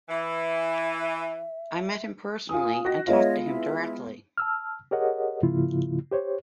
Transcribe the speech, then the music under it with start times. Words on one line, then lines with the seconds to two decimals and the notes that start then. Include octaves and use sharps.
I met him personally and talked to him directly.
0.09 E3 E5
2.49 F4 G#5 D#6
2.85 F#4 D#5 G5 A#6
3.07 G#3 B3 F4 C#5 D#5 E5
3.45 E4 E5
4.37 A5 E6 F6
4.91 G4 G#4 A#4 C#5 D#5 F#5
5.43 G#2 C#3 F3 A#3 E4 F4
6.11 G4 C5 C#5